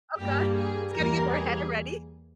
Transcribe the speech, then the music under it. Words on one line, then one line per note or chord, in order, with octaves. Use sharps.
Oh god. It's getting in my head already.
G2 G3 A#3 G4
G#4
E2 E3 G3 A#3 A#4
G#4